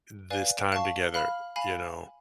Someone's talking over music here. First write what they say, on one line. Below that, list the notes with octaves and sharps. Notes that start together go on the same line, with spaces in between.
this time together," you know?
B4 D5 F5 G#5
F5 A5 C#6
F5 B5 F6
F5 G#5 B5